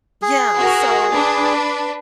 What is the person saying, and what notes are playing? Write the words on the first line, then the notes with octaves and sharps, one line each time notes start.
Yeah, so,
G#4
F#4 A#4
D4 B4